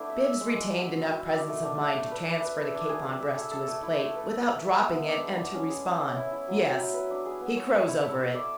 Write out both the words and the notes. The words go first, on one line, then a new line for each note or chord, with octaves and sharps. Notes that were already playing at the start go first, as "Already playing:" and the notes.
Bibbs retained enough presence of mind to transfer the capon breast to his plate without dropping it and to respond, "Yes--he crows over it."
Already playing: A3 B3 D4 E4 B4
E5
E5
G#3
G#3
F#4
E5
E4
E4
D4
A3
D4
A3
A3
B4
B4
B4
E4
D4
G#4
G#4
E5
A4
A4
A3
E4
A3
B4
E5
B4
E5
B3
B3
D4
G#3
D4
C#4
G#4
E4
C#4
E4
E4
F#3
F#3
E4
B4
D4
G#4
B3
C#5
A4
E4
E5
E5
D5